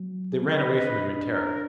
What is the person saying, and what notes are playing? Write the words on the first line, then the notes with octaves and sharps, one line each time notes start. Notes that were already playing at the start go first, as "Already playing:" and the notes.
They ran away from him in terror.
Already playing: F#3
G#4
B4 D#5
D4 B4 D#5
D4
A#4